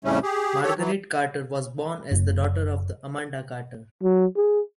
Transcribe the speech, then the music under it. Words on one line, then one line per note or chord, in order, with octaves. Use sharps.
Margaret Carter was born as the daughter of Amanda Carter.
F2 A2 C#3 G3 A3 C#4
G4 G#4
G4 A4 C#5
E3 F#3
F#1
F#3
G#4